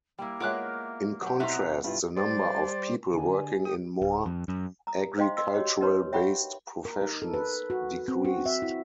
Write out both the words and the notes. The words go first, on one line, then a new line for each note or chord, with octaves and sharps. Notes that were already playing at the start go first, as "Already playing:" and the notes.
In contrast, the number of people working in more agricultural-based professions decreased.
G3 A#3 E4
G#3 B3 F4 A#4 C#5 E5 D6 F#6
F#3 G4
B2 C4 E4 B4 E5 F#5 A#5 C6
G2 B3 E4 F4
G3 C5 D5 A6
D3 G#5
G4 D#6
D1
F2
F#2
A#5 D#6
C5 D#5 F5 G5 C6
D#5 C6 D6 E6
F#4 G4 C#5 D#5
D#4 G4 A#4 B4 C#5 C6
C#5 E5 F#5 G5 B5 C#6
A#4
D#4
A4
B4
F#4
C4
F#4
E5
E4